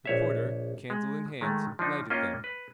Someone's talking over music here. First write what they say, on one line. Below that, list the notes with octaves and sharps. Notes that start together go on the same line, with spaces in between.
The porter, candle in hand, lighted them.
A#1 C#5 E5
G#3
D#3 G#3 A3
F3 D4 D#4
A#3 C#4 F4 D#5 G5
B4